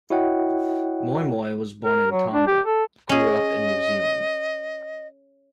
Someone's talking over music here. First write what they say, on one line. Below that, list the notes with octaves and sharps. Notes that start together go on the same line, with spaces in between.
Moimoi was born in Tonga, grew up in New Zealand.
E4 F#4 C#5 D#5 F#5 G5
A#4
F#3
D4
G4
A4
C#4 G#4 D#5